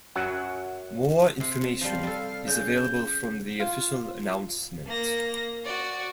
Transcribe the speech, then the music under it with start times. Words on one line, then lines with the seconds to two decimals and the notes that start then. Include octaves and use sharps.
More information is available from the official announcement.
0.16 F#2 F#3 F#5
1.40 C3
1.81 F3 G3 F5
2.03 G3 A4
2.47 C#3 G6
3.60 F4
4.87 A#3 A#6
5.65 F#4 D5